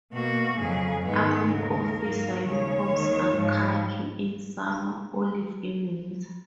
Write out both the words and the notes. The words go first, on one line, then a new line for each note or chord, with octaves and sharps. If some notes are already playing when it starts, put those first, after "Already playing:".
Army officer uniforms are khaki in summer, olive in winter.
B2 A#3 F#4
F2 C#3 F#3 G#4
G#2 D#3 G#3 B3 G#4
D#2 C#3 G#3 A#4
G#2 F#3 A#3
D#2 C#3 F3 C#5
D#2 D#3 G#3
G#2 F3 G#3